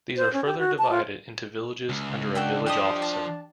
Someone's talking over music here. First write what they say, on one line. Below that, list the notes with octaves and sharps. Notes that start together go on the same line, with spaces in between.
These are further divided into villages, under a Village officer.
C5
C#4
G4
F#4
A5
F4
C#2
D4 F#4 G5 E6
F3 G4 D#5 D#6
A5